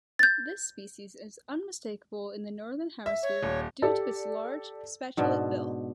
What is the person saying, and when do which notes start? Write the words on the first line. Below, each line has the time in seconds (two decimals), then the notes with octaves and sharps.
This species is unmistakable in the northern hemisphere due to its large spatulate bill.
0.19 G6 A6
3.06 E5
3.23 C#5
3.43 D#1
3.82 G4 A4 D5 A5
5.17 G#2 B2 D4